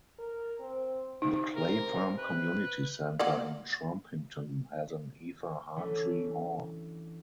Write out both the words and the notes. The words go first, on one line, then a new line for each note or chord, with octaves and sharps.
The Clay Farm community centre in Trumpington has an Eva Hartree Hall.
A#4
C4
C3 D#4
C3 A#4
B4
A#3 D5 F#5
E3 F#3 A3 C#4 D4